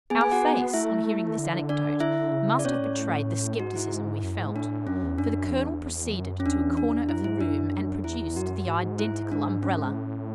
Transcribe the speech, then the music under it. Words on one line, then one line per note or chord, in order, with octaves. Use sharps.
Our face, on hearing this anecdote, must have betrayed the scepticism we felt, for the Colonel proceeded to a corner of the room, and produced the identical Umbrella.
B3 G#4 G#5
G#4 G#5
F#4 F#5
A3 E4 E5
D3
D4 D5
E4 E5
C#3
D5
B2 C#4 C#5
A2
G#2 F#4
E4
F#2
G#2
A2 D4
F#2 C#4
E2
F#2 D4
E2
F#2
C#4
E2 D4
D4
F#2 E4
G#2 E4
F#2 D4
E2 E4
F#2 F#4
G#2
E4
D4
C#4
A2